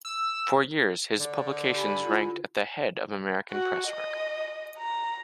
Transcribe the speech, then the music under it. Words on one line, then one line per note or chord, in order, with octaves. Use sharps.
For years his publications ranked at the head of American presswork.
E6
D3 D5
G4 G#5 B5
E4 F4
F#4
D#5
A#5